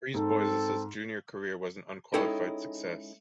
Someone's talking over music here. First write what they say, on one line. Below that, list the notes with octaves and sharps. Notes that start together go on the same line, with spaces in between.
Brisebois's junior career was an unqualified success.
G#2 C4 A4
G#3 C#4 D#4 E4 A4 G5